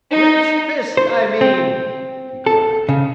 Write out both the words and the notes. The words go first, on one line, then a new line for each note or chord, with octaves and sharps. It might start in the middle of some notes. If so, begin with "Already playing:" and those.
"Flint's fist, I mean," he cried.
D#4
C5
C4
A4
C#3